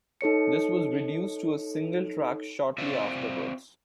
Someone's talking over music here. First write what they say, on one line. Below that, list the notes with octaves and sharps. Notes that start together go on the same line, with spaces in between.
This was reduced to a single track shortly afterwards.
D#4 A4 C#5 C#7
C4 F4 D5 E5